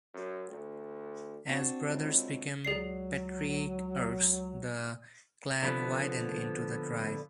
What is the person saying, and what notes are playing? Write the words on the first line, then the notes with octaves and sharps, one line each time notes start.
As brothers became patriarchs, the clan widened into the tribe.
F#2
D2
C4 D4 F#4
C#2
C#2 F#3 G#4 D5 C7
D3 F3 B3 B4